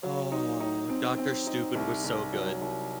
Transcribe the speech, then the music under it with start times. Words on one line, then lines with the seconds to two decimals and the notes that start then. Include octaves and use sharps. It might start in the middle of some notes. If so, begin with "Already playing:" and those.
Oh, Doctor Stupid was so good.
0.03 F#3
0.32 D#4
0.60 D#4
0.90 C4
1.18 C4
1.47 D#4
1.75 C2
2.04 C2
2.33 F#3
2.62 C2